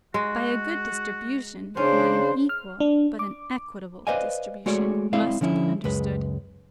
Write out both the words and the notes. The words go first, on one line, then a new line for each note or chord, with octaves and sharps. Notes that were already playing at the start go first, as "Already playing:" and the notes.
By a good distribution, not an equal but an equitable distribution must be understood.
G#3 F#4
C#3 C#4 D4 C5 D5
F6
D4
D6
B4 C5 D5 D#5 F5 G#5
G#3 A3 F#4 G#4 C#5 D5
G#3 C4 E4 D5 E5 F5
D3 F3 C#4 E4
C#2 F#2 G#3 B4